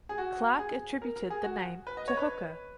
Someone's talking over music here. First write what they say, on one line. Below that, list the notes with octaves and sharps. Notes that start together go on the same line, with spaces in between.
Clarke attributed the name to Hooker.
G#4
F#4
G#4
A#4
A#4
G#4
F#4
B4
D#5
C#5
B4